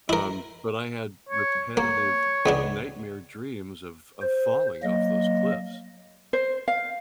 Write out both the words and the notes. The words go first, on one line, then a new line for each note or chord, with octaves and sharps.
Um, but I had repetitive nightmare dreams of of falling off those cliffs.
E4 A#4
C#5
A#3 C#5
C#2 B3 D4
C5
F#3 A#3 D#5
C5
F5